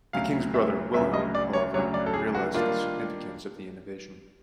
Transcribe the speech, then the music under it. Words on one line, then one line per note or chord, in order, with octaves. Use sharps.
The king's brother Wilhelm, however, realized the significance of the innovation.
D2 C#3 F#3 F5
E5
D2 C#3 F#3 E5
D#5
D5
C#5
D2 C#3 F#3 C#5
D5
A4
G#4
F#4
D#3 G3 A#3 D4 F4